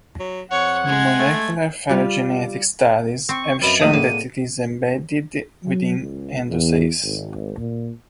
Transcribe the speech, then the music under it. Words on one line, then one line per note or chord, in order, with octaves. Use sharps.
Molecular phylogenetic studies have shown that it is embedded within "Androsace".
F#3
F2 C#5 F#5
G#3 G#6
A3
G3 F4
C4 C#6
F#2 B4 D#5 E5 B5
A#1 D#2 A2 E5 A5 D#6 D#7
A2 D3 A#3 G#4 D5
F#3
C#2
E2
G#1
A#2